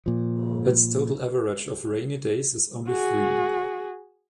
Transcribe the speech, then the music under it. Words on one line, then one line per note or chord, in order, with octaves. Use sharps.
Its total average of rainy days is only three.
A#2 F3
F#4 G#4